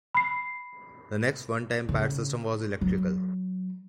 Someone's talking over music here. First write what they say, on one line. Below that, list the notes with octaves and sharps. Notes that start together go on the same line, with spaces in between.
The next one-time pad system was electrical.
B5 C7
C#3
F#3